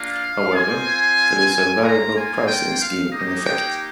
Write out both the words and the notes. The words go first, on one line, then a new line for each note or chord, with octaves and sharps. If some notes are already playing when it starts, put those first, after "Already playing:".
However, there is a variable pricing scheme in effect.
Already playing: A#3 D4 F4 F5
C4 F4 G#5
A#3 F4 A#5
G#5
G5
F5
A#3 D#4 G4 D#5
G5